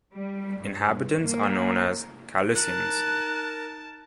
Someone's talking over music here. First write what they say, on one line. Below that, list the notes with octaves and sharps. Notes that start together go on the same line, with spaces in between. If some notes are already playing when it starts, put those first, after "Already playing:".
Inhabitants are known as "Chalusiens".
G3
G2
A#3
D#4 A#4 A5 F#6